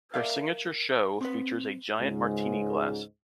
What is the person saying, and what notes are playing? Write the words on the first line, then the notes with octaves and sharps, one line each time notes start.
Her signature show features a giant martini glass.
A#4 D5 E5 F5
C4 B4
C#2 G#2